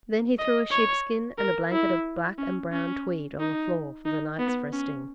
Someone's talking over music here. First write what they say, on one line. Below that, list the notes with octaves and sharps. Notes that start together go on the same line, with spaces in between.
Then he threw a sheepskin and a blanket of black and brown tweed on the floor for the night's resting.
D#5
C#5
A#4
E4
C#4
C#4
D#4
D#4
B3
C#4